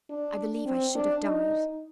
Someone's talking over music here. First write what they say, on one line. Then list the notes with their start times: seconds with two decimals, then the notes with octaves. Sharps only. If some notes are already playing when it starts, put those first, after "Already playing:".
I believe I should have died.
0.10 D4
0.66 C4
0.95 D4
1.24 D#4